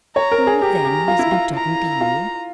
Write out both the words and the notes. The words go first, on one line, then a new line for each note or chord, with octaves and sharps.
"Who, then, has been talking to you?"
C#5 A#5
A#4
G#4
G4 A#5
G4
F4
E4
F4
A#5
F4